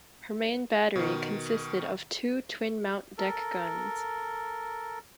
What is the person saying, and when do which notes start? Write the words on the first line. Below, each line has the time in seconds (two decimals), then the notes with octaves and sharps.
Her main battery consisted of two twin-mount deck guns.
0.96 B2 D#3
3.18 A4 A#4